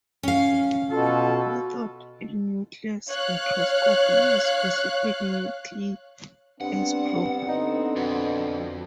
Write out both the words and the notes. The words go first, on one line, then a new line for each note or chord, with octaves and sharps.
Methods in nuclear spectroscopy use specific nuclei as probe.
C#4 F5
B2 F4 A4
C#5 F5 F#6
G2 B3 C4 D4 F#5
D3 D#4
F2 B2